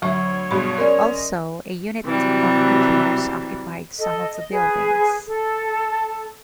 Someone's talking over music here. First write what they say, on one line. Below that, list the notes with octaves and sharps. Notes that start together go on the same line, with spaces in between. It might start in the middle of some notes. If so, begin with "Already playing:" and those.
Also, a unit of engineers occupied some of the buildings.
D2 F#3 C#5 E5 C#6
G2 B2 G#3 B5
G#3 C#4 A#4 D5
D#5
C3 E3 F#3 G3
A4 D#5
D#5
G#4 B4
A4